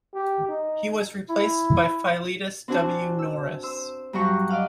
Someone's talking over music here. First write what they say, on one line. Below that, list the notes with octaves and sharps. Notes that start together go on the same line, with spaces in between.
He was replaced by Philetus W. Norris.
G4
D#4
E4
C4 D4 F#4 C5 G#5 A5
E6
C5 E6
G2 F#3 G3 F#4 G4 C#6
D5 D#5 F5 F#5